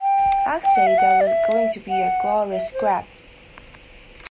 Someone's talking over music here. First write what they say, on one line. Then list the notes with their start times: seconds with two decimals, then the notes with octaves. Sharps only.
I'd say there was going to be a glorious scrap.
0.02 G5
0.64 G5
0.75 F#5
0.87 E5
0.98 F#5
1.21 D5
1.27 E5
1.89 F#5
2.52 E5
2.73 C5